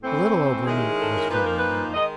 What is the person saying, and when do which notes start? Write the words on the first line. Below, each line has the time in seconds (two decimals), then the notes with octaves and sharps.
The little old woman was very angry.
0.02 A2 E3 A3 C4
0.66 D#3 G#3 C#4 E4 G#4
0.77 G4
0.87 G#4
0.98 A4
1.09 A4
1.14 A#4
1.29 A#2 F3 A#3 D#4 B4
1.42 A#4
1.55 B4
1.93 D#3 G#3 D#5